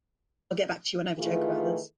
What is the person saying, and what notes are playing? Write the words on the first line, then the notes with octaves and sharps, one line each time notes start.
I'll get back to you when I have a joke about this.
D#3 E3 A3 F4 G#4 B4